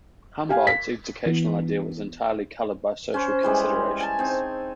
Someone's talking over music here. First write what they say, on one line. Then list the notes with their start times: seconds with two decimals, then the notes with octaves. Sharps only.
Humboldt's educational ideal was entirely coloured by social considerations.
0.49 G4 F5 G#5
0.67 B6
1.26 E3 B3
3.14 C#4 C5
3.43 E3 G3 G#3
4.00 G#5 A5
4.19 C4 D#4